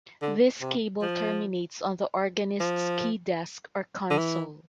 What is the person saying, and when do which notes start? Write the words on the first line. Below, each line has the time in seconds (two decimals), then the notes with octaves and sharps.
This cable terminates on the organist's key desk or console.
0.22 D3
0.61 C3
1.02 F3
2.60 F3
4.10 D3
4.18 E3